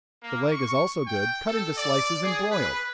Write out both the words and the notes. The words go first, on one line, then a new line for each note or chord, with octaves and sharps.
The leg is also good, cut into slices and broiled.
A#3
C#6
G5
A4
D5
G#4
B4